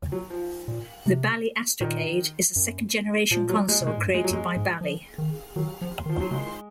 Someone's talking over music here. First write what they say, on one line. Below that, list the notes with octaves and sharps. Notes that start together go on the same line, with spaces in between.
The Bally Astrocade is a second generation console created by Bally.
F#3
F3
A#2
C3
A#2 D#3
F#2
A#2 F3
F#3
G#3
C3
A#2 G#3
G#2
F#2
G#3
F#3
F#2 G#3
G#2
F3
D#3
D#3 F#3
F3
D#3
F3
F#3
C#3 G#3